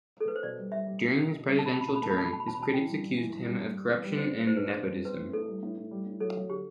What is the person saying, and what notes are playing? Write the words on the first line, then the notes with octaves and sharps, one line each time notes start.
During his presidential term, his critics accused him of corruption and nepotism.
A4
B4
C5
B2 D5
G3
G3 E5
G3
B2
B2
B2
G3
B2 A5
B5
B2 A5
B5
E1 A5
B5
A3 A5
B5
B2 A5
B5
B2 A5
B5
E1 A5
B5
B2 A5
E3 G5
G3
G2
E3
G2
G3
G2
G3
E2 B4
G3
D4 C5
D4
B2 C5
B4
D4 C5
D4
G3
C4 B4
A2
A2 A4
G3
A2
A2
G3
A2
F#3 A4
F#3
D3 G4